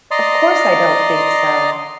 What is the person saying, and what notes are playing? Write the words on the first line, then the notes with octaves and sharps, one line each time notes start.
Of course I don’t think so!
D5 D#5 A#5 C6